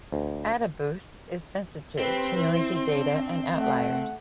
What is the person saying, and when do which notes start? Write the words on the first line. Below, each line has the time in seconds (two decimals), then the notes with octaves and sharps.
AdaBoost is sensitive to noisy data and outliers.
0.12 D2
1.99 C4 G4 B4
2.39 E4
2.88 D4
3.56 A3 F#5